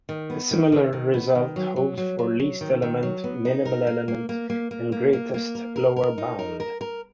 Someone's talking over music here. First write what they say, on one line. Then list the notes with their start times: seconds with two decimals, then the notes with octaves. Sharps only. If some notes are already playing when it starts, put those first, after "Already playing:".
The similar result holds for least element, minimal element and greatest lower bound.
0.09 D#3
0.30 B3
0.51 D#3
0.72 D#3
0.93 D#3
1.14 B3
1.35 D#3
1.56 F#3
1.76 F#3
1.98 F#3
2.19 F#3
2.40 F#3
2.61 D#3
2.82 D#3
3.03 F#3
3.24 B3
3.45 D#4
3.65 A#4
3.87 A#3
4.08 A#3
4.29 A#3
4.50 A#3
4.71 A#3
4.92 A#3
5.13 A#3
5.34 A#3
5.55 A#4
5.76 A#4
5.96 A#4
6.18 D#4
6.39 A#4
6.60 A#4
6.81 A#4